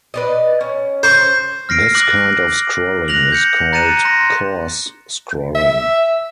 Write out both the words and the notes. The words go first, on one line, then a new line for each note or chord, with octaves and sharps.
This kind of scrolling is called, "coarse scrolling".
B4 D5 D#5
C#4
C5 C#6
F6 A#6 C7 D7
D6 F#6 A#6 F#7
F#6 A#6 F7 F#7
G6 C#7
A#5 F#6 A6 C#7 D#7 E7
C6 A#6
E5